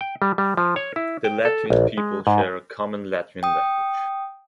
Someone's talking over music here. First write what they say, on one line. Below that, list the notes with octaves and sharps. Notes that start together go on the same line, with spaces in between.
The Latvian people share a common Latvian language.
G5
G3
G3
F3
C#5
E4
G5
A4
A#1
G#3
G#2
G5 D#6